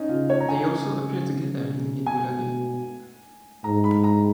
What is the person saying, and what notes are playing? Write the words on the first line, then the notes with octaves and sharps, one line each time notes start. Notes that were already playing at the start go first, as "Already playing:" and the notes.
They also appeared together in Eat Bulaga!
Already playing: C#4 D#4
C#3 F4
C#5
A#5
C#3 G#5
B2 G#5
G#2 A#5
B5
A#5